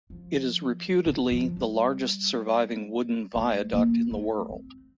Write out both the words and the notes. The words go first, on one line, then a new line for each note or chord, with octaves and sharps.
It is reputedly the largest surviving wooden viaduct in the world.
F3
D#3
F3
G3
A3
A#3
A3
C4